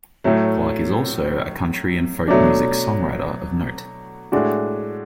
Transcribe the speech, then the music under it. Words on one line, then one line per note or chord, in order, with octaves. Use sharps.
Clark is also a country and folk music songwriter of note.
A2 F#3 A3
B2 F#3 A3 D4
A2 G#3 D4 F#4